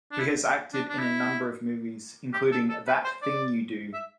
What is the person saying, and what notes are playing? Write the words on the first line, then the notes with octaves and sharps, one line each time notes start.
He has acted in a number of movies, including That Thing You Do!
D4
E4
D4
D4
E4
G4
A4
A4
B4
C5
D5
E5